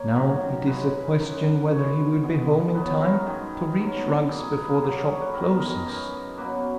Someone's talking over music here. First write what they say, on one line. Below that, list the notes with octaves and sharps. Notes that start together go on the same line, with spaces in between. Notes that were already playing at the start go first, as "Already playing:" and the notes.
Now it is a question whether he will be home in time to reach Rugg's before the shop closes.
Already playing: A#3 C#5
F#2 D#3 F#3
C#3 E3 G#3 B4
F#2 C#3 G#3
B2 G#3 B3 C#5
B2 G#3 B3
C#3 F#3 B3 B4
A#4
G#2 D#3 G#3 G#4
G#2 F#3 B3
A#2 A#3 G#4
G#4
B4
A#4
C#3 F#3 A#3 G#4
A#4
C#5
B4
G#2 D#3 G#3 B3 A#4
A#4
F#2 E3 G#3
B2 F#3 A#3 B4